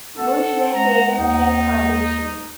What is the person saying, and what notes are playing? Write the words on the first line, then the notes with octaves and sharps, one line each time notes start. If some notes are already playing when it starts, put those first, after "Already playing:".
Bush then dated Kim Kardashian.
A4 F#5
G#3 A#5
D#2 D#4